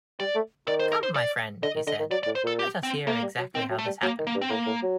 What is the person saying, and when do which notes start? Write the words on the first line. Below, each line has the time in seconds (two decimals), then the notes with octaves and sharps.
"Come, my friend," he said, "let us hear exactly how this happened!"
0.20 G3 D5
0.36 A3
0.67 D#3 D5
0.79 C5
0.92 A#4
1.03 C5
1.15 D5
1.63 D3 D#5
1.76 D#3
1.87 D3 D#5
1.99 D#3
2.10 F#3 D5
2.23 D5
2.27 A2
2.35 C5
2.44 A#2 A4
2.59 G4
2.83 C4
3.06 A3 A#3
3.22 G3
3.38 F#3
3.55 D#3 C4
3.70 F#3
3.78 A3
3.86 G3
4.03 F#3 A#3
4.19 D#3
4.27 A#3
4.35 G2
4.42 C4
4.50 A2 A#3
4.66 A2
4.83 F#3